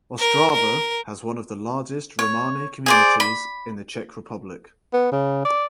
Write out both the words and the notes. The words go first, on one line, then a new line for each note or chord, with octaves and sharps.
Ostrava has one of the largest Romani communities in the Czech Republic.
A#4
A#4
C#5
G#4 C5 D5
B5
B3
C#3
D5